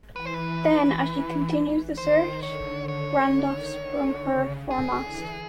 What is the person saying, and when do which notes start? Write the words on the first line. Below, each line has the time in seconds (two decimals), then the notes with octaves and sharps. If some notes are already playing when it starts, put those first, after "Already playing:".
Then, as she continued the search, "Randolph" sprung her foremast.
0.16 E3 B4
0.25 C5
0.34 B4
1.98 D#3 C5
2.43 D3 C#5
2.88 D3 C#5
3.19 D3
3.50 D#3
3.80 D3
4.26 C#3
4.71 D3 G#4
5.01 E3